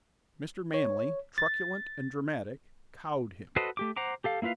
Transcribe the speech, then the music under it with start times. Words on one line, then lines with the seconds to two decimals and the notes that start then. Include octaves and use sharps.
Mr. Manley, truculent and dramatic, cowed him.
0.74 C#5
1.38 A6
3.56 F#4 A4 B4 C5 D#5
3.77 A3 G4 D6
3.96 C5 F#5 A#5 D6
4.24 G4 A4 F5
4.42 A#3 E4 F4 B4 F5